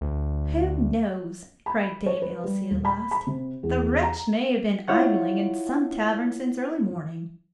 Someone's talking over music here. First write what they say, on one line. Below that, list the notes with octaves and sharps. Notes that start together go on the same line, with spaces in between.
'Who knows?' cried Dame Ilse at last, 'the wretch may have been idling in some tavern since early morning.'
D2
B5
C#5
B4
G3
D#1
B5
B5
C3
E2
A#5
E4 F4 C#5 F#5